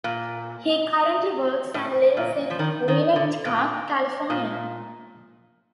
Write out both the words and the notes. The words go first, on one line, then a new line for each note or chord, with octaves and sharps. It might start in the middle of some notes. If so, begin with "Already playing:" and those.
He currently works and lives in Winnetka, California.
A#2
A2
A#2
F3
D#3
D#3
D3
A#2
A#2